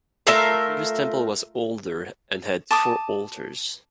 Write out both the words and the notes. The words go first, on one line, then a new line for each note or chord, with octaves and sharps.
The previous temple was older and had four altars.
A3 F4 A#4 E5
A5 D6 D#6